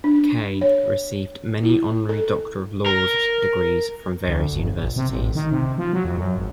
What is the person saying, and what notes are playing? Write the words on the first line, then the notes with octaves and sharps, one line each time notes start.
Kaye received many honorary Doctor of Laws degrees from various universities.
D4
C#5
E4
A4
A#4
D2
G1
A#1
C3
A1
D#3
C3
F3
F#3
F2
F#2
G#1